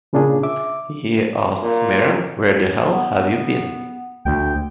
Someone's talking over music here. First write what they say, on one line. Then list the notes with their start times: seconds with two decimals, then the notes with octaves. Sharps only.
He asks Mera "Where the hell have you been?".
0.13 A#2 C#3 A#3 D4 F4 G#4
0.43 E5 D6
1.63 A#2
2.88 B3
4.25 D2 G5